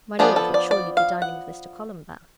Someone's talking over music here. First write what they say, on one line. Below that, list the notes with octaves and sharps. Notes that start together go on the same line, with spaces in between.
My lord would surely be dining with Mr. Columbell.
F3 B3 D4 G#4
A4
D5
D5
F5
F#5